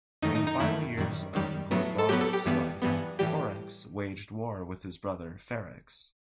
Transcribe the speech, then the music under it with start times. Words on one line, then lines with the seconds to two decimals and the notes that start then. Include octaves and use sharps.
In the final years of Gorboduc's life, Porrex waged war with his brother, Ferrex.
0.22 F#2 D#3 A3 D#4
0.35 D#4
0.47 D#4
0.60 F#2 D#3 A3 E4
0.98 F#2 D#3 G3
1.34 F#2 D#3 G3
1.71 A2 F#3 B3
1.98 A4
2.09 A2 F#3 B3 G4
2.21 A4
2.33 G4
2.45 G2 E3 G3 B3
2.82 G2 E3 G3 B3
3.19 A2 E3 G3 G4